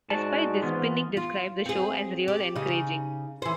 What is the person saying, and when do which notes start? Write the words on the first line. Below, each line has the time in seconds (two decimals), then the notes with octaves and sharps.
Despite this, Pinnick described the show as real encouraging.
0.10 G#2 F#4 D5 A5
0.62 E3 B3 F4
1.17 F4
1.66 C4 G#4
2.28 G4
2.56 C#3 D#4
3.42 E3 C5